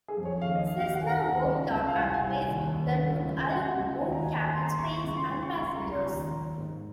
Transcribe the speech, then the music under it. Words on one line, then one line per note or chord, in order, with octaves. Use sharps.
Cessna worked on upgrades that would allow more cabin space and passengers.
G#4
F2
C#5
D#2 F5
D#5
D#2 F5
F5
D#2 F#5
G#5
F#5
D#2
C#2
C#2
F5
C2 F#5
G#5
C2
G#5
D#2
D#2
C#2
C#2
C#2 F#5
C#2
D#2 G#5
A#5
G#5
D#2
D#2 C6
A#5
C6
D#2 C#6
C#6
C#2 C#6
C6
C#2
C#6
C#2 C#6
C6
A#5
C#2
C6
D#2 A#5
D#2
G#2